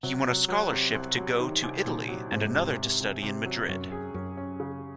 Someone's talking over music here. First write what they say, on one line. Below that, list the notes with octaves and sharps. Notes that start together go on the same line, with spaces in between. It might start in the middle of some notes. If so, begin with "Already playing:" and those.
He won a scholarship to go to Italy and another to study in Madrid.
C3 F#3
F#3
F#3
C3
C2
F#3
D#3
C2
A#2 D#3
F#3
G#2 C3
C3
C3
C3
C3
F#3
F#2 C#4
G#4
F#2 C#4
C#4
C#3